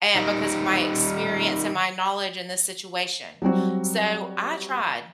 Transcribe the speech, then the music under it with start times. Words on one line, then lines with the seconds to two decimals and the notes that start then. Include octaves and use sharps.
a because of my experience and my knowledge in this situation. So, I tried,
0.16 D#3 G3 D#4
3.42 F#3 G3 C4 F#4